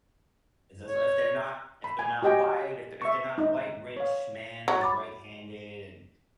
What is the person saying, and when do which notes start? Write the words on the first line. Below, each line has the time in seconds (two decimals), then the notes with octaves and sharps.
as as if they're not if they're not white, if if they're not a white rich man who's right-handed and
0.88 C#5
1.84 B5
1.99 G#5
2.22 F#4 G4 D#5 G5 G#5
3.02 E5 C#6
3.38 D#4
3.97 C#5 F5
4.68 F#3
4.81 B5 D6 A6